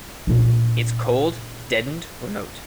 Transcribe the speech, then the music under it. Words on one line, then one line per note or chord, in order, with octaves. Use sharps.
It's cold, deadened, remote.
A#2 D4